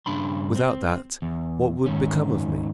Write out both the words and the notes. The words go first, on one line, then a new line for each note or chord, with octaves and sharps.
"Without that, what would become of me?"
G2 C#3 D4 B5 C6
C4
E2
G#2 D#3 C#4